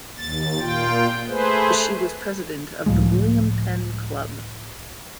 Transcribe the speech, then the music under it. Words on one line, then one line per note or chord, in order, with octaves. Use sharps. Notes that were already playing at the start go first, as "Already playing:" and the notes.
She was president of the William Penn Club.
D#2 A6
A#2 F4 G5
A3 G#4 B4 C5
C#2 A2 F3 G#3